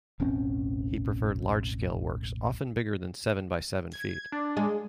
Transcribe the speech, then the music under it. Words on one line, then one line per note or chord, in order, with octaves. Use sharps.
He preferred large scale works often bigger than seven by seven feet.
E1 A1 C4 C#4
G#6
D4
G#3